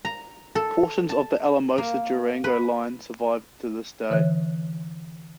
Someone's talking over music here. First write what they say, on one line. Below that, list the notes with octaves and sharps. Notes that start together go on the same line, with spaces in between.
Portions of the Alamosa-Durango Line survive to this day.
A#5
A4
A5
A#3
B4
D3 E3 C#5 E5 F#6